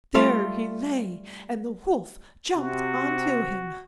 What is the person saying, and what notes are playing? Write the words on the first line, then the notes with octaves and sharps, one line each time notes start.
There he lay, and the wolf jumped on to him....
G3 A3 F4 F5
C3 F#4